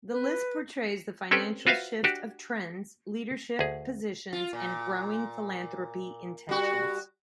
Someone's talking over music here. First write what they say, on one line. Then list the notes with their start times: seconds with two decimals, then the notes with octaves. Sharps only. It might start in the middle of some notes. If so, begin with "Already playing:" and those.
The list portrays the financial shift of trends, leadership positions, and growing philanthropy intentions.
0.10 B4
1.31 C4 C#4 G4 A4 B4 G5
1.67 F4 F#4 B4 C5 E5 F5
2.04 D4 F#4 G4
3.59 D2 G#4
4.33 F4
4.53 A#2
6.49 G3 F#4